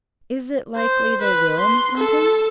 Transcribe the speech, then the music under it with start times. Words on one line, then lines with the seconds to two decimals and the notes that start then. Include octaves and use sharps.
"Is it likely they will, Miss Linton?"
0.76 C5
1.22 B4
1.60 C6
1.97 A4